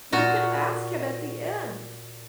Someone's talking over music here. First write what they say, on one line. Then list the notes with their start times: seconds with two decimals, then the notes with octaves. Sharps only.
you can ask him at the end,
0.12 A#2 F#4